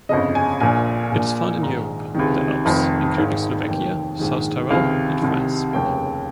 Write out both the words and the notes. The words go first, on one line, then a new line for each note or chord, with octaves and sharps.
It is found in Europe: the Alps, including Slovakia, South Tyrol and France.
G1 F2 C#3 D#5
G#5
A#1 A#2 G#5
A#1 A#2
A#1 G#2 D#3 A#5
C#2 C3 D#3
F1 F2 D#3
G#1 G#2 D#3
F1 D#2 D#3 G5
A#1 G#2 D#3
C#2 C3 D#3 F5
C2 C3 D#3
F1 D#2 C#3 G5